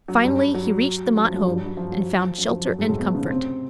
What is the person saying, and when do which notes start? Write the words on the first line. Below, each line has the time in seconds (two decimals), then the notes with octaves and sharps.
Finally he reached the Mott home, and found shelter and comfort.
0.08 F#3
0.24 G2 G3
0.55 F#3
1.16 F#3
1.25 F3
1.36 F#3
1.45 G2 G3
1.56 F#3
1.66 F#3
1.77 F3
1.92 F#3
2.00 F3
2.15 F3
2.38 F#3
2.53 F3
2.69 F#3
2.79 G#2 G#3
2.88 A2 A3
3.00 B2 B3
3.14 C#3 C#4
3.30 C3 C4